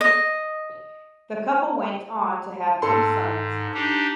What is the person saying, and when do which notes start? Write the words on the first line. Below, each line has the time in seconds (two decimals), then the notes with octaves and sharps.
The couple went on to have two sons.
0.01 D#5
2.82 G#2 A4 C6
3.74 D4 D#4 G4